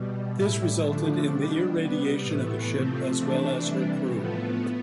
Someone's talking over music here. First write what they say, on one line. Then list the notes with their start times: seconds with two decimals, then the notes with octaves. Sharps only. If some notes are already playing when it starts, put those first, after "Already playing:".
This resulted in the irradiation of the ship as well as her crew.
Already playing: B2 G3
0.34 A2 G3 E4
0.81 D3 F3 A3 D4
1.28 B2 G3 D4
1.75 C3 G3 B3
2.22 A2 E3 A3 B3
2.70 C3 F3 A3 C4
3.17 C3 E3 A3 D4
3.64 C3 E3 G3
4.11 A2 F3 A3 B3